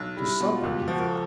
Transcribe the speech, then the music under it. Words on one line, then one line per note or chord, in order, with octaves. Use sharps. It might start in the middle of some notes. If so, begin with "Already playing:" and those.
"To supper!" he thought.
Already playing: B1
G3 E4
B2
F4
C#2
G4
F3 F#4
A#4
A4